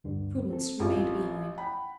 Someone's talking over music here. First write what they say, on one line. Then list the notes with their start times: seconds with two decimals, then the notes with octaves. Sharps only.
Prudence remained behind.
0.04 D2 G2 D3
0.50 C4 A4
0.80 A1 F4
1.58 F#5 G5 B5